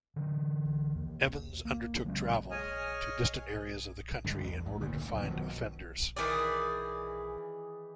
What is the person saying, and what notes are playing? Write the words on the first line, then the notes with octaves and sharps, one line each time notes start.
Evans undertook travel to distant areas of the country in order to find offenders.
D3 E3
D#2
A#3
C#3 F#3 G#3 C#4
G#4 C#5 D#5 G#5 D#6 F6
G2 D3 G#3
E2
G#2
D2 A#2 D3 D#3
C#2 F#2
B2 D#3 F3 F#3
D#3 E3 G#4 D5